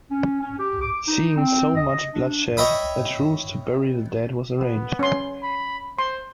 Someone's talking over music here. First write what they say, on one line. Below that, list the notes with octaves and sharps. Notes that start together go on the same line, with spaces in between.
Seeing so much blood shed, a truce to bury the dead was arranged.
C#4
C#4
G4
D6
D#4
C4
D#5
D4
C#5 D#5 E5 G5 B5 D#6
B3
C#4 C6
B5
C5 C6